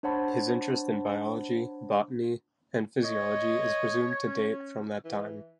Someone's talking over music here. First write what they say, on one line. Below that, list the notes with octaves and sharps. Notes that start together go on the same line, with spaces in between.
His interest in biology, botany and physiology is presumed to date from that time.
D4 C5 C#5 F#5 A5 B5
C#5 D#5
C#4
E3